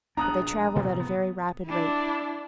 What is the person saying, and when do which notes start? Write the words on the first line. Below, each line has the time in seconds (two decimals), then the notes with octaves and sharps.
But they travelled at a very rapid rate.
0.17 A#1 B3 D4 A#5 D#6 F#6
0.76 A2 C3
1.00 B3
1.66 D4 E4